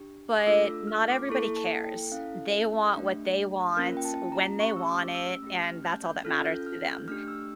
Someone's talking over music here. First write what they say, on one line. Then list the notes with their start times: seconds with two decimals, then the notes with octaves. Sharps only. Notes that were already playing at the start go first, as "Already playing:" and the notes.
but not everybody cares. They want what they want, when they want it, and that's all that matters to them,
Already playing: D4 G4
0.39 D6
0.46 A3 D4 F4 A4 E6
0.67 E6
0.87 F6
1.08 D6
1.29 A#3 E4 A4 C#6
1.56 A5
1.84 G5
2.12 C#4 E4 A4 F5
2.53 E5
2.95 A3 D4 G4
3.77 A#3 C#4 F4 A#4
3.97 G5
4.05 A5
4.32 A#5
4.60 A3 C#4 G4 C#6
4.76 E6
4.87 D6
5.15 E6
5.43 A3 C#4 G4
5.63 F6
5.84 G6
6.04 G6
6.25 C#4 F4 A4 F6
6.46 G6
6.66 F6
6.87 G6
7.08 A3 D4 G4 F6
7.28 E6